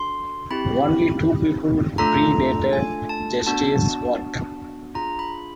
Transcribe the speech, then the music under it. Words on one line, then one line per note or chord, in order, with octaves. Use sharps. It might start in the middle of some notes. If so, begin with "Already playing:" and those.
Only two people pre-dated Jesty's work.
Already playing: D4 F#4 A4 C6
C4 E4 G4 B5
A3 D4 F4 A4 A#5
G#5
A5
B3 D4 F#4 A5
D4 F4 G#4 A#5
B5